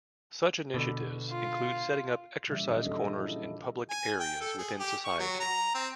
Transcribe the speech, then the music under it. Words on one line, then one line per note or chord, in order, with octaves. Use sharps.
Such initiatives include setting up exercise corners in public areas within society.
B2 D3
F4
A#2 C#3 E3 G3 D5 E5
A#2 D#3 F#3 D4 G4 D#5
D4 D#4 F#4 A4 D#5
E4 F4 G4
C#4
G#5
G5
A4
G#4
G4
C#6
F#3
A#5
C4